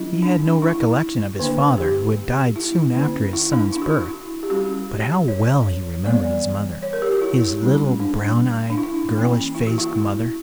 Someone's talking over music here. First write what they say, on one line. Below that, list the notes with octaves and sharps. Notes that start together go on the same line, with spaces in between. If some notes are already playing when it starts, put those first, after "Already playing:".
He had no recollection of his father, who had died soon after his son's birth, but how well he remembered his mother, his little, brown-eyed, girlish-faced mother!
Already playing: F#3 C#4 E4
D4
E4
D3 A#3 D4
G4
E4
D3 A#3 C#4
E4
D4
E4
F#4
E4
G4
G3 C#4 F#4
C#5
E3 G3 B3 D5
C#5
A#4
G4
F#4
E4
G3 C#4
D4
D4
E4
E3 A#3 C#4
E4
F#4
E4